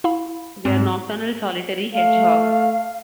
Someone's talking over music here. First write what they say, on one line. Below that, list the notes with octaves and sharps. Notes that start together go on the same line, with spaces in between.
They are nocturnal solitary hedgehogs.
E4 F5 B5
G#2 C4
A3 F5